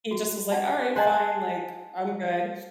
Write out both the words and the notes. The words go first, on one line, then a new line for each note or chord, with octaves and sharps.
he just was like, "Alright, fine. Like, I'm good,"
F#4
G4 D5 D#5 F#5 A5
G#3 C5 F#5 G#5 A5